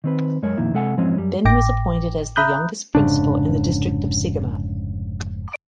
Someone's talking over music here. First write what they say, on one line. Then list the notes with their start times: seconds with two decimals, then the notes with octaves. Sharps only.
Then he was appointed as the youngest principal in the District of Segamat.
0.04 D#3 C4 B4
0.42 F#2 G#3 A#4 C#5
0.57 F2 A#2 D#3 E4
0.74 C3 G#3 A4 F#5 G#5
0.97 G#2 E3 F3 G#3 C4 C#4
1.18 F#2 G3
1.45 G#1 A2 G5 D6 A#6
2.36 E5 A#5 B5 D#6 F#6 G6
2.95 F1 G#2 C#3 D4